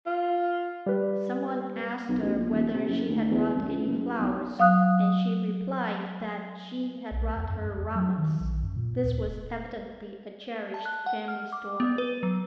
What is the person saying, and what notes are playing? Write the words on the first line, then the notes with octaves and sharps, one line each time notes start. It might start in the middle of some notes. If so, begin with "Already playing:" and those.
Some one asked her whether she had brought any flowers, and she replied that she had brought her "ramas." This was evidently a cherished family story.
F4
G3 B4
B1
A1
A#1
D#1
C3
F#1
D2
E2
C2
C#2
F#1
B1
F#3 F5 D#6 F#6
B1
E2
F#2
E2
F#3
D#3
A#1
F#2
A#2
D2
F1
A5
F#6
F#5
F6
D6
B3
B4
F#3